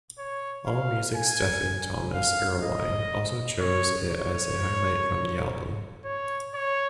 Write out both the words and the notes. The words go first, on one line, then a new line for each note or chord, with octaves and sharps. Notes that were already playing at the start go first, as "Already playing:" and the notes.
Allmusic's Stephen Thomas Erlewine also chose it as a highlight from the album.
C#5
F5
G#5
F5
D#5
C#5
C#5
C#5
C#5